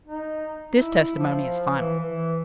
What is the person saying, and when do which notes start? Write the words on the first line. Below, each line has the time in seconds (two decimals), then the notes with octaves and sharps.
This testimony is final.
0.07 D#4
0.75 E4
1.16 F3
1.73 E3
2.00 E3